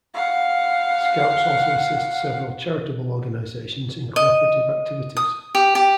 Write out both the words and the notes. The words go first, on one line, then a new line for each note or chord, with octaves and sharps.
Scouts also assist several charitable organizations in co-operative activities.
F5 F#5
D#5
D#6
G4
G4